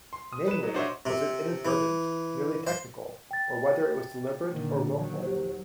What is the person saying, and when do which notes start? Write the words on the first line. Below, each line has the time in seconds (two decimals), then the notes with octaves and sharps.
Namely, was it inadvertent, merely technical, or whether it was deliberate or wilful.
0.13 C6
0.33 D#6
0.48 B4 E7
0.63 F#3 D#4
0.74 D4 F#4 C5 C#5 D#5 E5
1.05 C3
1.65 E3
2.67 C5
3.31 G5 A6
4.52 A#2 D3 D#3
4.91 D#2 D#3 F#3
5.22 G4 C5